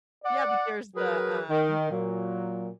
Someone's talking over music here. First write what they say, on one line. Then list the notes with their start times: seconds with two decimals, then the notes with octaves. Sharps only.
Yeah, but there's the, um
0.24 D5 F#5
0.95 F#3 G#4 A#4 B4
1.50 D#3
1.91 A#2 F#3